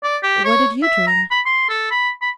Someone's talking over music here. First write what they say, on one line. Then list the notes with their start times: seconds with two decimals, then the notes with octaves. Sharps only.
'What did you dream?'
0.03 D5
0.23 G4
0.45 C#5
0.83 E5
1.07 A#5
1.31 B5
1.46 C6
1.69 A4
1.91 B5
2.22 B5